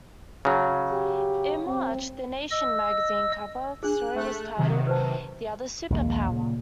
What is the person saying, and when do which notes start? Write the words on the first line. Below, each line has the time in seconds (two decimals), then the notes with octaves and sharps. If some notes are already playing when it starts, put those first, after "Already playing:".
In March, "The Nation" magazine cover story was titled "The Other Superpower".
0.45 C#3 F#3
0.92 G4
1.66 C4
2.51 D#5 E6
3.83 D4 G#4 F#6
4.15 A3 F#6
4.57 C3 D#3 F#3
4.87 B4 C5 A5
5.90 A#1 D#2 G#3 A#3
6.29 A#2 C#3